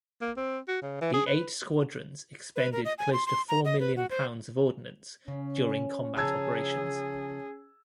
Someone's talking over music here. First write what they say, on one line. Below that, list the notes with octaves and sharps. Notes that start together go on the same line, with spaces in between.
The eight squadrons expended close to four million pounds of ordnance during combat operations.
A#3
C4
F#4
C#3
E3
G#4
B4
B4
A#4
D#5
G#5
C6
C6
A#5
D#5
B4
F#4
C5
C#3 C#4
C#3 F3 G#4 A5 A#5 E6 G#6